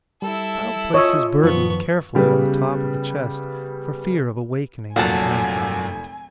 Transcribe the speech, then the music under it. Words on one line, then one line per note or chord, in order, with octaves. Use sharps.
The child placed his burden carefully on the top of the chest, for fear of awakening and terrifying it.
G3 E4 A4
F4 C#5 D#5 D#6 E6
F#2 D#3 F3 B3 C#6
C#3 G3 B3 B4
F1 A#2 F#3 F5 F#5 G#5 A5